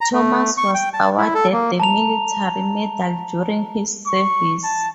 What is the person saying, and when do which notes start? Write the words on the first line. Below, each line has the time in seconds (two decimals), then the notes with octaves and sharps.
Thomas was awarded the Military Medal during his service.
0.01 A#5
0.13 A3
0.58 C#6
0.74 G5
0.94 A5
1.18 E4
1.34 A4
1.52 A#3
1.80 A5 A#5 F7
4.07 C#6
4.64 A5